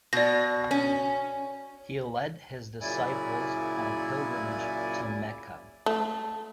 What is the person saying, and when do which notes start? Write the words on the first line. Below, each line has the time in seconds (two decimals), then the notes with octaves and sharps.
He led his disciples on a pilgrimage to Mecca.
0.13 B2 D5 A#6
0.71 C#4
2.81 F#2 A#2 C#3 E4 D5 G#5
5.86 A3